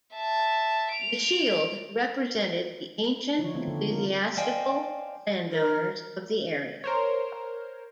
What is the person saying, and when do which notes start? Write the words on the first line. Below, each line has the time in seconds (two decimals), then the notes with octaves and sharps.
The shield represented the ancient ecclesiastical landowners of the area.
0.15 E5 A5
0.93 D7 F7
3.39 D3 D#3 F3 D#4 F4 C#5
3.54 A3 B3 C4 D4 E4
3.67 D3
3.90 F4 A#4
4.37 C5 D5 D#5 F5 G5 G#5
5.52 A#4
6.84 A#4 C5 C#5